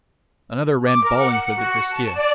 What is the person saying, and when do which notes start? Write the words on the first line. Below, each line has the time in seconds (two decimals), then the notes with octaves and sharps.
Another ran bawling for the vestiaire.
0.87 D6
1.03 A#4
1.18 F#5
1.57 F#4
1.92 A5
2.15 D5